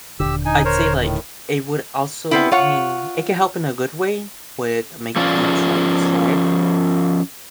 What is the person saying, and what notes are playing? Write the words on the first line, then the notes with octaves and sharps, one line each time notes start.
I'd say, like, it would also I mean, it can help in a good way with making plans, like you said,
D#1 B1 D3 G4 E6
D#4 G#5
A#4 C5 C#5
A2 D#3
B3 C4 E4
F4 C#5 F#5
F3 C#4 F4 D5